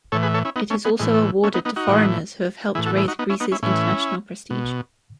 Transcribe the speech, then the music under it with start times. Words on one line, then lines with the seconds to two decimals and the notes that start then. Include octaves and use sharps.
It is also awarded to foreigners who have helped raise Greece's international prestige.
0.12 A2 E3 A4 C#5
0.23 G#4 B4
0.34 A4 C#5
0.45 C#4 E4
0.56 B3 D#4
0.70 A3 C#4
0.85 G#3 B3
1.00 A2 E3 G#3
1.14 A3
1.44 A3 C#4
1.54 B3 D#4
1.65 B3 D#4
1.76 D#4 F#4
1.88 A2 E3
2.75 E3 E4 G#4
2.78 A2
2.86 F#4 A4
2.97 E4 G#4
3.08 D#4 F#4
3.19 B3 D#4
3.30 C#4 E4
3.40 B3 D#4
3.52 C#4 E4
3.63 A2 E3 C#4 E4
4.50 B2